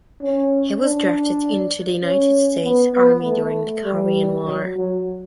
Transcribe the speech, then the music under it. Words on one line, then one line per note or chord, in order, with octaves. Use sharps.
He was drafted into the United States Army during the Korean War.
C#4
D4
C#4
B3
B3
A3
G3
F#3
F#3